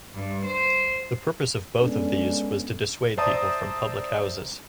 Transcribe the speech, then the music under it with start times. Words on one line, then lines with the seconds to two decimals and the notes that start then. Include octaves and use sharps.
The purpose of both of these was to dissuade people from public houses.
0.14 G2
0.45 C5
1.82 G#3 B3 C#4 D4 A4
3.18 C5 D5 E5 A5 A#5 D#6